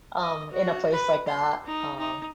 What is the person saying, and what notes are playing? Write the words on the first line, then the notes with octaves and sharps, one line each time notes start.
um, in a place like that, um,
D#5
F#4
B4
C6
D#4
D#4